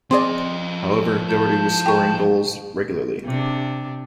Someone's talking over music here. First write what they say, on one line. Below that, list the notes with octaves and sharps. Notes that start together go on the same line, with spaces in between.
However, Doherty was scoring goals regularly.
F3 C4 G#4 D5 D#5 C6
A5 G6
G5 C#6
C3 D4